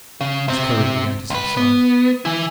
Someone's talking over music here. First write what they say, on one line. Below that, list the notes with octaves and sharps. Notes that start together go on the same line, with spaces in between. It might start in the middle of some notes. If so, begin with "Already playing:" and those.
His courage began to subside.
C#3
C3 C4
C#2 B4
B3
E3 E4